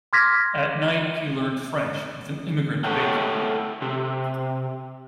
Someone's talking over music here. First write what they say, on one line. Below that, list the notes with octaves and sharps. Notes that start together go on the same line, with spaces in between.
At night he learned French with an immigrant baker.
C6 D6 F6 G#6 A#6 B6
A3 A4 C#5 F#5 G5
C3